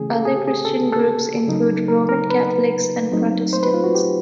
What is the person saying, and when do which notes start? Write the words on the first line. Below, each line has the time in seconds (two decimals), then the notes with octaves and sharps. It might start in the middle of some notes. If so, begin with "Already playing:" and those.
Other Christian groups include Roman Catholics and Protestants.
Already playing: C#3 E3 A3 C#4 G#4
0.14 A4
0.25 G#4
0.37 G4
0.48 G#4
0.65 A4
0.92 A4
1.47 C#3 F#3 A#3 D#4
1.88 A#4
2.09 A#4
2.30 B4
3.12 F#3 A3 C4 D#4
3.53 C5
3.63 B4
3.74 F4
3.84 F#4
3.95 G4